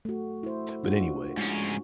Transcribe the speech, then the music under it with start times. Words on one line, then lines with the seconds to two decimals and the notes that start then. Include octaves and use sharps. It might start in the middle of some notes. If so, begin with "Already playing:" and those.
but anyway.
0.05 A3 F#4
0.43 E4 C5
0.84 D4 F4 F#4
1.37 G#2 C#4